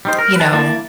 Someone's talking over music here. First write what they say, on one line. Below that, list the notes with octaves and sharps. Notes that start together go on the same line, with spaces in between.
you know,
G3 D#4 C5
A#4
B4 A5
A#3 E4 D5 A5